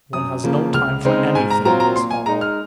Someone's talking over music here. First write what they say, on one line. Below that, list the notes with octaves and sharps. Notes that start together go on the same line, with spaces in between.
"One has no time for anything in this hovel!"
F#2 D#6
C#3 F3 A#3
C#2 F6
C#3 G#3 C4 D#4
G#2 G#5
A#5
F#3 C4 F4 A#5
A#5
A#2 C6
G#5
G#3 D#4 A#5
F6